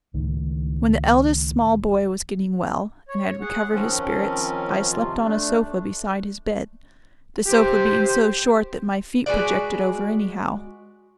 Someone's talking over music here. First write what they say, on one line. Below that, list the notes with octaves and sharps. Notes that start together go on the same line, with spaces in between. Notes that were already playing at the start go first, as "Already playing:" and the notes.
When the eldest small boy was getting well, and had recovered his spirits, I slept on a sofa beside his bed--the sofa being so short that my feet projected over anyhow.
C#2 A2 D#3
C#5
G#4 F#5
D#3 F3 C4 C#4
C3 F4
A3 D4
G4 C5
G#3 F#4 B4 D5